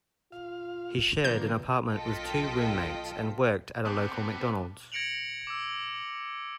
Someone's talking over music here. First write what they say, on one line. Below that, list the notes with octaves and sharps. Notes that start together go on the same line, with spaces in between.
He shared an apartment with two roommates and worked at a local McDonald's.
F4 F5
D3 F3 A#3 B4 G6
B1 F4 A4 D#5 G5 B6
B3 C4 A5 D6 F#6
G#6 A#6 C#7 D7 F7 F#7
D6 E6